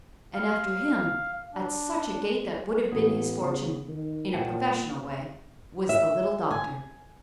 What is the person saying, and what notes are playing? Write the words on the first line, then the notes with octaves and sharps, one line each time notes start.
And after him, at such a gait that would have been his fortune, in a professional way, was the little doctor.
F5
D4
A1 B3 G#4
C#3
D#3
A#2 F#5 G5 A5
E5
G#5